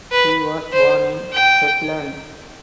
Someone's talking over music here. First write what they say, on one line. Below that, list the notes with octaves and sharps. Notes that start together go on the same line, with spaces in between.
He was born in Hetland.
B4
C5
G5